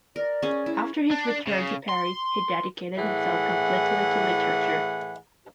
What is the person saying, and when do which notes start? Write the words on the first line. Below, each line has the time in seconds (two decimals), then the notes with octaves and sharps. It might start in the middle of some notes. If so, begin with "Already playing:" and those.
After his return to Paris he dedicated himself completely to literature.
0.16 A#4 D5
0.42 C#4 G#4
0.66 E4
1.11 D4
1.47 C#3
1.89 C6
2.98 A2 E3 G#4 F#5